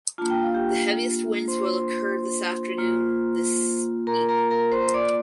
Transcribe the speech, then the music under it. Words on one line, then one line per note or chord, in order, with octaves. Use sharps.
The heaviest winds will occur this afternoon, this evening.
A#3 D4 F4 A5
G5
F5
G4 G5
C5 C6
A#3 F4
A#4 A#5
A#4 A#5
A#4 A#5
C5 C6
D5 D6